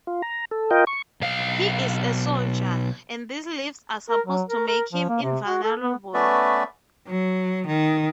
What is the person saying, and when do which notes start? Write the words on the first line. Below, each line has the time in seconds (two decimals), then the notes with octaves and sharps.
He is a soldier, and these leaves are supposed to make him invulnerable.
0.07 F4
0.22 A#5
0.51 A4
0.71 F4 A#4 D#5 G5
0.87 C#6
1.21 B1 F5
4.09 A#4
4.26 F#3
4.49 A#4
4.68 A#4
4.93 F3
5.09 A#3
5.22 C3
5.47 F#4
5.63 A4
5.81 B3
6.14 A3 B3 C#4 B4 D5 E5
7.08 F#3
7.67 D#3